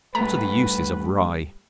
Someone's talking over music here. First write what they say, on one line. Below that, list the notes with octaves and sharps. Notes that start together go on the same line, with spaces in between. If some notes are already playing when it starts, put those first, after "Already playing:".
What are the uses of Rye?
G2 A3 B4 A#5